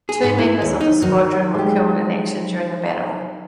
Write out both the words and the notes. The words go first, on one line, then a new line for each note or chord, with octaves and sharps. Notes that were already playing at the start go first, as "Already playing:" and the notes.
Two members of the squadron were killed in action during the battle.
G#4
G#2
E4
D#2
D#4
D#3 F#3
G#3 G4